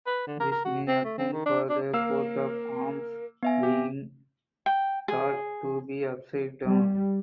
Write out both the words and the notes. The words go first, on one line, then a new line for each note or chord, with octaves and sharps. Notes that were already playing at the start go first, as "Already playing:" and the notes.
This may account for the coat of arms being thought to be upside down.
B4
D3
A#4
A#4
F#4
C4
A3
C4
D#3
D4
D4
A#3 A#4 F5 E6
B3 E5 G#5
G4
G5
G#4
G3